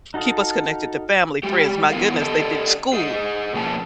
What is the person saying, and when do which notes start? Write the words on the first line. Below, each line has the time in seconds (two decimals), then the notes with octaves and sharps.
keep us connected to family, friends. My goodness, they did school,
0.14 D#4 F#4 A4 D#5 F5
1.43 G3 G#3 G4
1.92 E2 B3 E4 A#4 F5
2.22 G4 A4 D5 D#5 A5
2.93 G#4 C5 D#5
3.53 B2 F3 A#3 C#4 A5